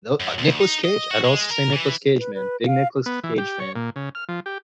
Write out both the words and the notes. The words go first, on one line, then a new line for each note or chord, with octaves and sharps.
No, uh, Nicholas Cage, I'd also say Nicholas Cage, man, big Nicholas Cage fan.
F#2
D2
D#4
D#5
F#4
G#3
A#4
E3
B4
B4
F5
B3
E3
G4
C#5
A#2
C#3
F6
F3
G4